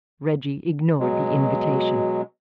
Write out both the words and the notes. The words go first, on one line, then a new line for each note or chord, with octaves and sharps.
Reggie ignored the invitation.
B2 F#3 G#3